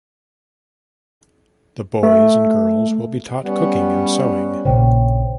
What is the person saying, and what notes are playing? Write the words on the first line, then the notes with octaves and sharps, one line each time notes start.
The boys and girls will be taught cooking and sewing.
A3
G3 B3 C#4
A#1 A#2 C#3 C5 C#5 G5